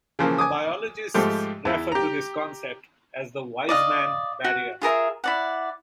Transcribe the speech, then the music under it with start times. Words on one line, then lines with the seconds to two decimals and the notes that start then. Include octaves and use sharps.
Biologists refer to this concept as the Weismann barrier.
0.19 C#3 E3 F3 A#3
0.38 G#5 D6 D#6
1.14 G#2 F3 A3 G4
1.65 E2 E4
1.92 G4 A#5
3.69 D5 D#5 F5
4.44 F#4
4.82 F4 G#4 A#4 E5
5.24 E4 D5 F#5